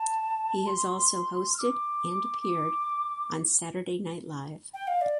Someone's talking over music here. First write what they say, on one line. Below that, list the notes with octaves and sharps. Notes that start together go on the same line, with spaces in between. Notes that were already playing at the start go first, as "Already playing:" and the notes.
He has also hosted and appeared on "Saturday Night Live".
Already playing: A5
C6
F6
D6
D6
G5
F5
D5